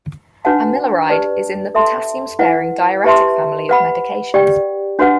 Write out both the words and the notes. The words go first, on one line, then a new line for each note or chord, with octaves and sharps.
Amiloride is in the potassium-sparing diuretic family of medications.
D4 F#4 B4 F#5 A5
G4 B4 D5 A5
A4 E5 A5 C6
E4 B4 F#5
G4 B4 E5 A5 C6
B4 F#5 B5
G4 D5 G5
D4 F#4 B4 F#5